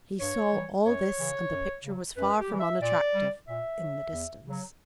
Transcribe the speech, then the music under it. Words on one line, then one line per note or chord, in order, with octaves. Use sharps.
He saw all this, and the picture was far from unattractive--in the distance.
G2 C#5
E3 G3
F#2 C#5
C#3 E3
F#2
C#3 F#3
F#2 B4
G4
E3 G3
E5
A#2 D5
G3
A#2 E5
F#3
E2
C#3 F#3